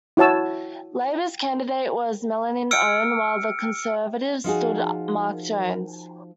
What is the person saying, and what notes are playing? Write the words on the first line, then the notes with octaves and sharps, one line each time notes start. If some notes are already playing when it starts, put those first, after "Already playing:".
Labour's candidate was Melanie Onn, while the Conservatives stood Marc Jones.
E4 F#4 C#5 A5 E6
E6 F6 C#7 D7
F3 D#4 F#4 G#4